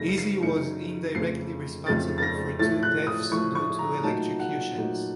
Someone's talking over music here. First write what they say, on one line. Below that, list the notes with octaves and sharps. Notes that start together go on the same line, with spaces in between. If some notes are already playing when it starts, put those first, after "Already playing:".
Easy was indirectly responsible for two deaths due to electrocutions.
Already playing: F#2 C#3 A3 D#4 A#6
C#7
C7
F#2 C#3 A3 D#4 C#7
F2 C#3 A3 C7
F2 C#3 A3 A6
A6
A#6
A2 F3 A3 A6
F#6
D#6
A2 F3 A3 C#6
C#6
A#5
A#2 F#3 A3 D#4 A5
F#5
A#2 F#3 A3 D#4